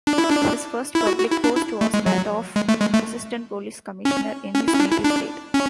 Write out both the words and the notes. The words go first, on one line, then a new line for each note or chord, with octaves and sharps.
His first public post was that of Assistant Police Commissioner in his native state.
D4
E4
D4
E4
F#4
F#4
E4
D4
E4
A3
G#3
F#3
G#3
A3
G#3
A3
C#4
C#4
E4
C#4
D4
E4
D4
C#4